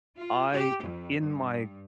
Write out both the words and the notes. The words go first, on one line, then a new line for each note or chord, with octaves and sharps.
I, in my
F4
G4
F2
G2